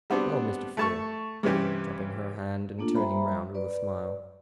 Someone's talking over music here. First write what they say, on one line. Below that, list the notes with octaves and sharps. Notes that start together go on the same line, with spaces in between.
"Well, Mr. Frere," dropping her hand, and turning round with a smile.
G3 B3 C4 D4 F#4
A3 A5 C#6
G2 C3 E3 C#4 G4
A3 A#3 D4 F4 A4
G3 C5 E5 A#5 B5
B4 D5